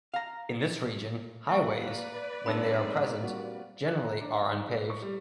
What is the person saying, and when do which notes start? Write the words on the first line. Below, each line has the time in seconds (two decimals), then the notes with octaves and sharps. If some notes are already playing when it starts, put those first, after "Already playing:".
In this region, highways, when they are present, generally are unpaved.
0.14 F5 A#5
1.49 A#3 B4 D5 E5 C#6
2.46 G#2 C4 D4 D#4 A#4 B5
3.23 G3 A#3 F#4
3.87 F#6
4.05 A#5
4.20 D4
4.35 F5
4.52 G#2
4.75 B4
4.90 C#6
5.02 G3